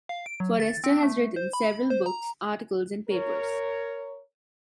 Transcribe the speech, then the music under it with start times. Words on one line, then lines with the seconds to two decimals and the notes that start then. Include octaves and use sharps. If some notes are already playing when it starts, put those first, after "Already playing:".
Forrester has written several books, articles and papers.
0.09 F5
0.26 D7
0.40 F#3
0.60 A6
0.84 C4
1.03 A3
1.36 C5
1.53 B5
1.90 C5
2.06 A#5
3.10 A#4 C#5